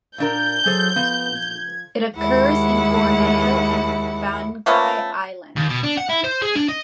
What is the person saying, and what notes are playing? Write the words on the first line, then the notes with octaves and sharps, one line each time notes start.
It occurs in Borneo and Banggai Island.
A#2 D4 A#4 G6
F#3 G#4 A4 C5
F3 B3
G#6
D#2 G#3 E4 F#5
F3 A3 B3 C#4
D#2
B2
D4
F#5
E4
C5
G#4
D4
D#5